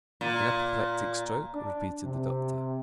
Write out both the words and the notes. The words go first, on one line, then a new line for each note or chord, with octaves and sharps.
"An apoplectic stroke?" repeated the doctor.
A#2
D4
C3